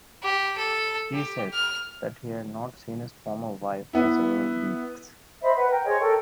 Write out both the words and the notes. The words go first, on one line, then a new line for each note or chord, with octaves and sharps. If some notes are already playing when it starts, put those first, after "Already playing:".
He said that he had not seen his former wife for several weeks.
G4
A4
G4
F6
B3 E4
C5 D#5 E5 B5
B4 F#5
A#4 G5
G#4 C5 C#5 D#5
A4 A#4 G5